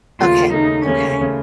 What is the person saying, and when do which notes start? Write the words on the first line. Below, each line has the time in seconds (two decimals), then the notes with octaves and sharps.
Okay, okay.
0.20 D#2 C#3 A3 F4
0.53 D#2 C#3 A3 D#4
0.86 D#2 C#3 A3 C#4
1.21 C#3 A3